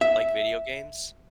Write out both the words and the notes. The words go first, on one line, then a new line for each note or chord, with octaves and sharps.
Like video games?
E5